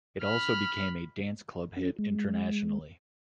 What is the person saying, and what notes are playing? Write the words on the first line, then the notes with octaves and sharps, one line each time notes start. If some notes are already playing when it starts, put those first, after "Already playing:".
It also became a dance-club hit internationally.
B5 F6
C#4
G#3